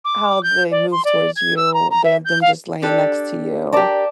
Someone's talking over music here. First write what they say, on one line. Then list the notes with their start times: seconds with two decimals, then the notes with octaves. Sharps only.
how they move towards you, their them just laying next to you,
0.05 D6
0.43 G6
0.71 D5
0.92 C6
1.05 D5
1.36 G#6
1.57 E6
1.74 A#5
1.91 A#5
2.05 E5
2.25 G6
2.42 F5
2.82 D4 G4 A4
3.72 G4 A#4 D5 A5 D6